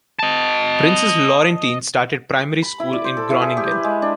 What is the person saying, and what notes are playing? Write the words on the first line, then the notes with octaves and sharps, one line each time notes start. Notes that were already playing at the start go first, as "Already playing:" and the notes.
Princess Laurentien started primary school in Groningen.
D#5 A5
B5
E4
D5
C5
A4
E4
G#4
G4
B4
G#3
D4